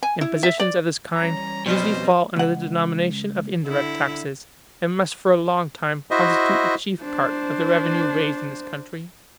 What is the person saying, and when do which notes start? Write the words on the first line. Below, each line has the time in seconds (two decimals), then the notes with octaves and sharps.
Impositions of this kind usually fall under the denomination of indirect taxes, and must for a long time constitute the chief part of the revenue raised in this country.
0.03 G#5
0.21 E4
0.43 E5
0.60 D5
1.16 E3 G3 C#4 A#5
1.66 F2 B2 F#3 B4 C5 D#5
2.36 C#2 F#5
3.64 D3 E4
6.11 E4 F#4 C5 D#5 E5
7.02 D4 C5